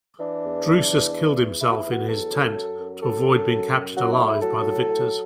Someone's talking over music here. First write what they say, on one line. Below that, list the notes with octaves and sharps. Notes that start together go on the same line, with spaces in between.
Drusus killed himself in his tent to avoid being captured alive by the victors.
E3 D4
E2
E3
E2
E3
E2
E3 E4
F#4
E4
E2
F#4
F#3 A4
F#2
F#3
F#2
F#3 A4
F#2
F#3
F#2
F#3 F#4
E4
A2
E4
F#3 A4
A2
F#3